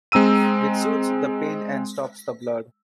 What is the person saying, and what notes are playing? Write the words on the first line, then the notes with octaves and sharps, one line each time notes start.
Which soothes the pains and stops the blood.
G#3 C4 A#5 E6 D#7